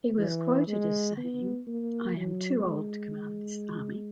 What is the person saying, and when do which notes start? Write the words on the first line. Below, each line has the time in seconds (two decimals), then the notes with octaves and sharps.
He was quoted as saying, I am too old to command this army.
0.18 E3
0.68 G#3
1.17 B3
1.67 A#3
2.17 F#3
2.67 G#3